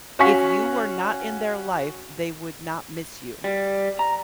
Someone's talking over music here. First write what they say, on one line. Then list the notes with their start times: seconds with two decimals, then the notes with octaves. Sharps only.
"if you were not in their life, they would not miss you."
0.19 C#4 F#4 F5 G#5 C#6 B6
3.44 G3
3.99 A#5